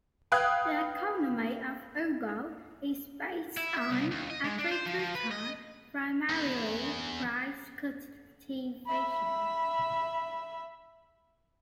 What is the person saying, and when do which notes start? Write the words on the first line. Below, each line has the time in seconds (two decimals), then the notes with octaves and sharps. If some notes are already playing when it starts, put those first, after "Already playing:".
The economy of Ugo is based on agriculture, primarily rice cultivation.
0.32 B4 F5 G5 D#6 F#6 G#6
3.57 E4
3.77 E5
3.90 C2
4.11 D#2
4.30 D#5
4.45 G#3
4.59 D4
4.72 C5
4.86 F3
4.99 F3
5.15 B4
5.31 D#5
6.30 E2
8.87 E5 B5